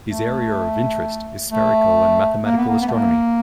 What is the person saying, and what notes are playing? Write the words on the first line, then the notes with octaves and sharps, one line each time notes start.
His area of interest is spherical and mathematical astronomy.
A3
A3
A#3
B3
A#3
B3
A3
A#3